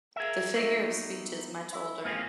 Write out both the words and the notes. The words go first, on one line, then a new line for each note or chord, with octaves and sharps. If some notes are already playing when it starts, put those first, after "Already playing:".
The figure of speech is much older.
G#4 A#4 E5
F#3 B3 D#4 E5
E4
G#2 A#3 C4 C#4 F4 G#4